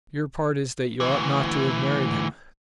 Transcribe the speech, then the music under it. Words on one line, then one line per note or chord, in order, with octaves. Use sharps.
Your part is that you ought not to have married him.
D2 E3